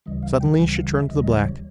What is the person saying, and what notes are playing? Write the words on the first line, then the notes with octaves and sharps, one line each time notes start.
Suddenly she turned to the black.
D2 C#3 E3 G3 D#5
F5
G5
D2 C#3 E3 G3 G5
F5
E5
D2 C#3 E3 G3 D#5
D#5
D5
C#5